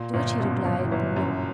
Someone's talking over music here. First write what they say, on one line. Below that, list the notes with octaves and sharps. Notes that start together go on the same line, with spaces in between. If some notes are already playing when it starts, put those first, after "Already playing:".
To which he replied, "No."
Already playing: A#2
G1 A#2
F#2 B2
G1 F#3
E3
G1
F#3
F#2